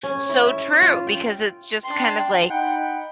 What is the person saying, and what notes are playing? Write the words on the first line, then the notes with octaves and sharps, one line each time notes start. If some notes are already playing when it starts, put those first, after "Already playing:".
so true because it's just kind of like,
C#4
E4
E5
F4
G5
D4 G5 C6
D#4 F#5 G5 B5